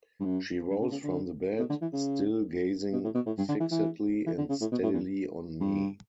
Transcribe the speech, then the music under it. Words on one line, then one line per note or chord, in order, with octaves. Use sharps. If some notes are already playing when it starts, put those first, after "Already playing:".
She rose from the bed, still gazing fixedly and steadily on me.
G2
F#2
G2
C#3
C#3
D3
B2
D3
E3
C#3
B2
A2
B2
A2
G2
D3
E3
E3
E3
D3
C#3
A2
B2
A2
E2
G2